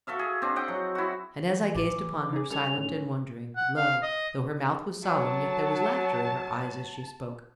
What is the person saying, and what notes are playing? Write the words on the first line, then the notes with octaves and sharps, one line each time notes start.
And, as I gazed upon her, silent and wondering, lo! though her mouth was solemn yet there was laughter in her eyes as she spoke.
F#4 A4 E5 F5
G#4
C4 D4
D#5 F#5 G5
F#3
E4 F#4
E3
A1 A2 D5 D6
D#4 G#4
G3 C#4 A4 G#6 F7
A2
F#5
F5
D#5
F#3 A5